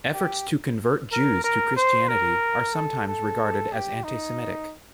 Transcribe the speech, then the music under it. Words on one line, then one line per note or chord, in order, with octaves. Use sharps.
Efforts to convert Jews to Christianity are sometimes regarded as antisemitic.
G4
A#4
A#4
C5
A#4
A4
A4
G4
D#4